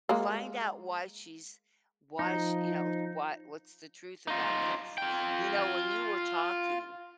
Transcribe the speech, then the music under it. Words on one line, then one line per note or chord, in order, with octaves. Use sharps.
Find out why she's why she you know, why what's the truth about this. You know when you were talking,
G#3 A#3
F3 D#4
D#4 F4
F4 G5